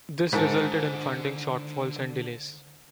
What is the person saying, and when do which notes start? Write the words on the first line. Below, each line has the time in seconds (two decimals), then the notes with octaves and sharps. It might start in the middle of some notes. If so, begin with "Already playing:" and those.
This resulted in funding shortfalls and delays.
0.33 G#2 D3 F4 A#4 A5